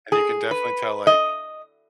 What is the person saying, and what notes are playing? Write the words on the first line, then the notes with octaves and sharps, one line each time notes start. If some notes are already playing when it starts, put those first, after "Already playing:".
And you can definitely tell, like
G#4
B4
D#5